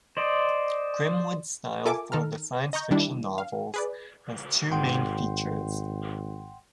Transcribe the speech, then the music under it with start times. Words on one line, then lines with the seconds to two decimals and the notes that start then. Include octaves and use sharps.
Grimwood's style for the Science Fiction novels has two main features.
0.17 C5 D5 D#5
1.85 F4 A4 A#4 E5 G#5 D6
2.12 D#3 A4 A#5 F6
2.73 D#5 A#5 C#6 G6
2.91 D#3 G3 D4 E4
3.38 F5
3.74 G#4 B4 D5
4.72 G#1 F#5 G5 C6